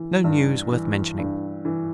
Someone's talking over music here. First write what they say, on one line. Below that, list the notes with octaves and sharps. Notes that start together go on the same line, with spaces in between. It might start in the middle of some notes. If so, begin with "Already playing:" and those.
No news worth mentioning.
Already playing: E3
G2
E3
G2
E3